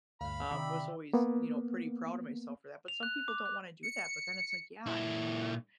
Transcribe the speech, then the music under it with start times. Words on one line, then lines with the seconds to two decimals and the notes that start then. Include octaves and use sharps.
um, was always, you know, pretty proud of myself for that. But some people don't wanna do that, but then it's like, Yeah, I mean, you're
0.21 D2 G2 F5 B5
0.51 C3 D#3 G4 D5 E5
1.13 A#3 B3
2.88 F7
3.03 F#6
3.28 D6
3.46 F#6
3.83 C#7
4.86 A#2 E4